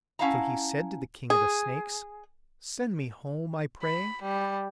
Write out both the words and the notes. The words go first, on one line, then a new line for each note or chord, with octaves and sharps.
So he said to the King of the Snakes, 'Send me home, I pray.'
C#4 E4 F5 F#5 A5 A#5
G#4
B5
G3